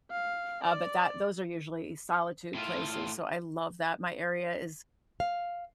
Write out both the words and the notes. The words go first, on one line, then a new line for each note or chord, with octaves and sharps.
Uh, but that those are usually solitude places, so I love that. My area is,
F5
D5
A2 F4
F5